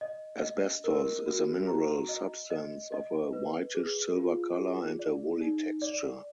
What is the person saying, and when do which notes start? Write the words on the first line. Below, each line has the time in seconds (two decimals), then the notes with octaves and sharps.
Asbestos is a mineral substance of a whitish silver color and a woolly texture.
0.01 D#5
0.43 D#5
0.84 A#4
1.26 F#4
1.68 A#5
2.09 D#5
2.50 D#5
2.92 D#5
3.33 B4
3.75 G#4
4.16 F4
4.57 G#4
4.99 D5
5.41 D#4
5.82 D5